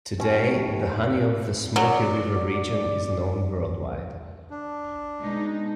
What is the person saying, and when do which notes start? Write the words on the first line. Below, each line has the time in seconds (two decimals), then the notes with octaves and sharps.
Today the honey of the Smoky River Region is known worldwide.
0.20 D#2 C#4
1.76 F#3 D5
4.50 D4
5.21 B2 G#3 D#4